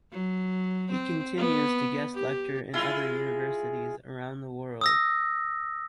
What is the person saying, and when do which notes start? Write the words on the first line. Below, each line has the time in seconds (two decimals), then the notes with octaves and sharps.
He continues to guest lecture in other universities around the world.
0.12 F#3
0.91 C4
1.37 B3
2.14 G4
2.73 G#3 E4 F4
4.81 D#6 E6 A#6